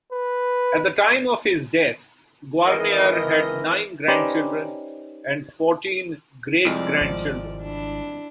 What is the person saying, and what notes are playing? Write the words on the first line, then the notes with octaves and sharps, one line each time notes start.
At the time of his death, Guarnere had nine grandchildren and fourteen great-grandchildren.
B4
G#1 E3 A#4 D#5
C#4 D#4 G4 B4 C5 D5
C2 F2 F3 G#3 D5
G#1
D4 E4